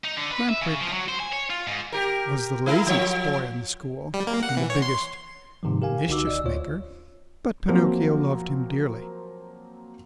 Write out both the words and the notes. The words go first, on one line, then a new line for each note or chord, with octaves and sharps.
Lamp-Wick was the laziest boy in the school and the biggest mischief-maker, but Pinocchio loved him dearly.
D#4
D3
B4
E5
C#3
F3
F#3
C5
G#5
C#5
F4
G#2
G4 A#4
G#3 E4 A#4
F3 C#5
G3
A#3
F#5
E3
C#5
C6
G#2 C3 D#3 F3
G4 A#4 F5 G#5
C2 D3 D#4 F#4 D6 E6
D5 D#5 E6
D2 F4 C#5
F3 F#3 A#3 C4